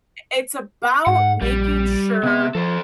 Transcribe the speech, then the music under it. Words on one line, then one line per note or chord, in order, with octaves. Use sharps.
it's about making sure
G#2 F#5
A#1 G3
C3 B3 E5
F3 A4 C5